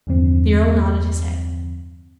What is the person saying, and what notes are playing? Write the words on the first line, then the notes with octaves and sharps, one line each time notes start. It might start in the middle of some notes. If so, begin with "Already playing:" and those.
The Earl nodded his head.
E2 G2 D3 F3 C4